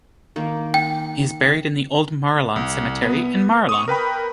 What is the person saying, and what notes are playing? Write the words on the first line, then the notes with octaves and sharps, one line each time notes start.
He is buried in the Old Marulan Cemetery in Marulan.
D#3 A#3
G5
C2
B3
C#6 D#6
A#4 B4 G5 B5